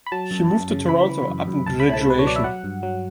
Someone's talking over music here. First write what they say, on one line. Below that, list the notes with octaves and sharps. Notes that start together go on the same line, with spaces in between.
He moved to Toronto upon graduation.
B5
F#3 A5
F#2
F#2
C#3
E3 B5
E3
F#2
F#2
C#2 A5
B5
C#2
A5
B2 B4
C#5
F#3 D5
E5
F#3 F#5
G2
F#3